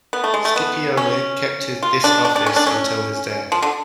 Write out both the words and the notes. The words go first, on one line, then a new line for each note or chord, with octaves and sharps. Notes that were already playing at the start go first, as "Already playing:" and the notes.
Scipione kept this office until his death.
B3
A3
G#3
A3
B3
C#4
F4
D4
D4
D4
C#4
D4
C#4
F3
D3